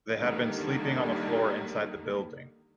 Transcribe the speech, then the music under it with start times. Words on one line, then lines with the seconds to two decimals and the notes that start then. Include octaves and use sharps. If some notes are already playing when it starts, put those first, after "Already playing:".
They had been sleeping on the floor inside the building.
0.19 D3 D#3 G3 A#3